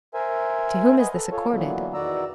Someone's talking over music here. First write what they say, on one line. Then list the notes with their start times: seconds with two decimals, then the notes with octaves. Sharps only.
To whom is this accorded?
0.14 A#4 C5 E5 G#5
0.98 B4 D#5 F#5 G#5
1.15 A4
1.32 F4 A4 C#5
1.51 A#2 D3 E3 F#3 A#3 B3
1.94 E2 D#3 F#4 D5 A#5 E6